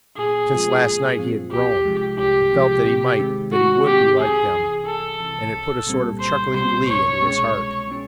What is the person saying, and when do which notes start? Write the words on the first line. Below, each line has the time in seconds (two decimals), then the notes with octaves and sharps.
Since last night he had grown, and felt that he might, that he would, be like them, and it put a sort of chuckling glee into his heart.
0.17 A#2 G#4
0.51 F3 G#3 C4 F4
0.84 A#2
1.18 F3 G#3 C4 F4
1.51 C2 G4
1.85 C3 F3 G#3
2.19 C2 G4
2.52 C3 F3 G#3
2.86 C3
3.19 D#3 G#3 C4
3.52 C3 F#4
3.86 D#3 G#3 C4 G4
4.20 C2 G#4
4.53 C3 E3
4.86 C2 A4
5.20 C3 E3
5.54 C2
5.87 A#2 G3 C4
6.20 C2 C5
6.54 A#2 G3 C4 C5
6.88 C2 C#5
7.21 B2 G#3 C#4
7.54 C2
7.88 B2 G#3 C#4